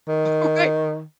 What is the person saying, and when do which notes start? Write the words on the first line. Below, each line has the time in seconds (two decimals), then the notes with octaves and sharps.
All right.
0.08 D#3